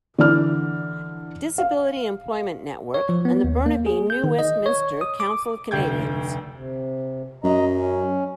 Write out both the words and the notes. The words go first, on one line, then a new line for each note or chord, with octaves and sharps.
Disability Employment Network and the Burnaby-New Westminster Council of Canadians.
D3 E3 D5 F6
F5
C#5
F3
B3
D#2
A#3
G#4
G6
D#3
D#5
C#5
D#6
D6
F1 D2 D3 G5 G6 G#6
C3
F#2 D#5 A#5
C#4